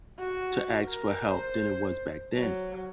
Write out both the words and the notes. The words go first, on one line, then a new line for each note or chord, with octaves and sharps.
to ask for help than it was back then?
F#4
A#4
C5
F#3